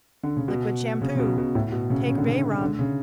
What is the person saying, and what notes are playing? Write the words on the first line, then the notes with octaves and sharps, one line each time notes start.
Liquid Shampoo.--Take bay rum.
D3
C#3
B2
C#3
C#3
B2
B2
A2
B2
C#3
C#3
D3
C#3
D3
C#3